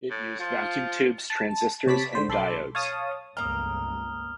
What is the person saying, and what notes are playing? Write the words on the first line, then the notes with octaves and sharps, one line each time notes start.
It used vacuum tubes, transistors, and diodes.
A2
F3 F4
A5
C3 C#5 A5 B5 D6 B6
D3 C5 B6
B1 A4 B5 C6 D6
C#5 F5 A5 D#6
G1 C#2 A#3 A#5 D#6 F6